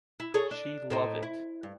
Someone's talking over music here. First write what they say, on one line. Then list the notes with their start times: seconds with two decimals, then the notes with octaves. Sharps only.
She love it.
0.20 E4
0.34 G#4 A4 C#5
0.51 D4
0.90 A2 C4 D#4
1.23 E4
1.63 G2